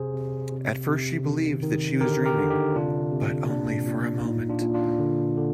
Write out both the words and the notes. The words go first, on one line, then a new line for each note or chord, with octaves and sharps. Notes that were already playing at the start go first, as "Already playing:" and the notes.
At first she believed that she was dreaming, but only for a moment.
Already playing: C3 G#4 C5
C3
C3
C3
D#3
D#3
D3 G4 A#4
G4 A#4
D3
D#4 G4
C3 D4 F4
C3
A#2 D4
A#2
F4
A#2 D#4
D4 F4
A#2
D4 F4
D3
D3